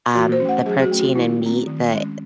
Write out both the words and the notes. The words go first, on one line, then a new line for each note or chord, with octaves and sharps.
um, the protein in meat, the,
E3 F#4
C5
C#4
A3 F#5
F#3 G#4
F#4
A3 C#4
F#4
D#3 E4
A3 C4
D#3
G#3 C#4